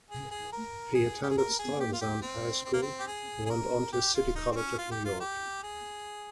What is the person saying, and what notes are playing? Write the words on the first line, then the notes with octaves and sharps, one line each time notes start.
He attended Stuyvesant High School and went on to City College of New York.
G#4
G#4
A#4
G#4
G4
G#4
A#4
G#4
G4
F4
G4
C4
C4
A#3
C4
G4
G#4
G#4
A#4
G4
F4
D#4
C4
C#4
F4
G4
F4
G4
G#4